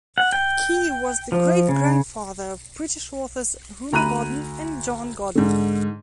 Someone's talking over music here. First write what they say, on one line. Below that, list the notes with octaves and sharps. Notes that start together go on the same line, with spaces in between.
Key was the great-grandfather of British authors Rumer Godden and Jon Godden.
F#5
G5
F3
C#3
D2 A#5 B5 F#6 D#7
G#2 D3